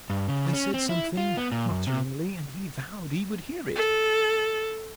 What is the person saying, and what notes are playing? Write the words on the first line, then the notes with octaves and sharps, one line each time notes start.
I said something mutteringly, and he vowed he would hear it.
G2
C#3
C#4
C4
E4
F4
B3
A#2
F#2
C3
A4